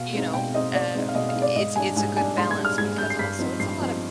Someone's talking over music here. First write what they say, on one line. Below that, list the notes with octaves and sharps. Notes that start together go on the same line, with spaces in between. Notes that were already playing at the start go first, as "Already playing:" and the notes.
you know, um, it's it's a good balance because also it's a lot of
Already playing: B2 F5
G#3 C4 D#4
B2 G5
G#3 C4 D#4 D#5
B2 D5
G#3 C4 D#4
F5
B2 D#5
F5
G#3 C4 D#4
D5
G#2 D#5
G3 D4 G#5
G#2 G#5
G3 D4 G#5
G#2 C6
G#6
G3 D4
F6
G#2 G#6
G3 D4 G6
C7
G2 B6
F3 C4 D#4
G2 C7
F3 C4 D#4